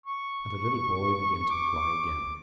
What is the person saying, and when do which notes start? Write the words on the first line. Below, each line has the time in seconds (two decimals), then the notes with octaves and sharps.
And the little boy began to cry again.
0.06 C#6
1.50 D6